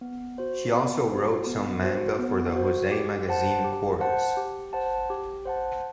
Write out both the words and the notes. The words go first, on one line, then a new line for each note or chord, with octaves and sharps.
She also wrote some manga for the josei magazine "Chorus".
B3
F#4 C5
B3
F#4 C5
B3
F#4 C5
B3
F#4 C5
G4
C5 F#5 A5
G4
C5 F#5 A5
G4
C5 F#5 A5
G4
C5 F#5 A5